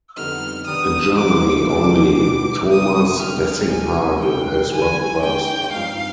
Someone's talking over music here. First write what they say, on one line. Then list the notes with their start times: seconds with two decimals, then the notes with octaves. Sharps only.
In Germany only Thomas Wessinghage has run faster.
0.17 F2 D3 G3 B3 D#4 F6
0.67 D#3 G3 B3 D4 D#6
1.18 C3 D#3 B3 F4 D6
1.68 F2 C3 D#3 G#3 D4 D6
2.19 B2 G3 B3 D#4 G#4
2.70 C3 G3 B3 D#6
3.20 D3 G3 D4 G4 F6
3.71 C3 F3 C4 G#5
4.21 F2 C3 G3 C4 G5
4.72 D2 D3 G3 G#5
5.22 D3 G#3 D4 G4 G5
5.72 G2 F3 G#3 C4 D#4 F5